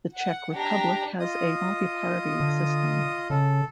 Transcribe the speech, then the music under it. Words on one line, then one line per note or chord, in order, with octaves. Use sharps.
The Czech Republic has a multi-party system.
F#5
D4 G4 A#5
F4 D#5 D#6
D3
C#3 A4